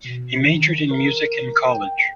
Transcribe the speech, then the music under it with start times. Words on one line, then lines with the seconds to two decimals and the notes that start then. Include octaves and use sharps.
He majored in music in college.
0.05 B2
0.44 D#3
0.91 A#4
1.71 G5